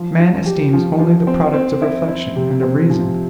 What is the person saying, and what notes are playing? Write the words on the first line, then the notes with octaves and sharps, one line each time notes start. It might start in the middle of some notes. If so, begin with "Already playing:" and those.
Man esteems only the products of reflection and of reason.
Already playing: F3
F3
G4
F3
F3
C4
C4
E4
E4
C3
C4
F3